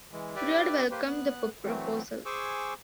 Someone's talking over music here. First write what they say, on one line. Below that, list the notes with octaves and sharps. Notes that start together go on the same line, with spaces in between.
Freud welcomed the proposal.
E3 G#3
G4 B4 D5 E5
A#3 G4 B4 C5
B3 F#6
E3 F#3 A3 C4
G#4 C5 G#5 C#6 D6 E6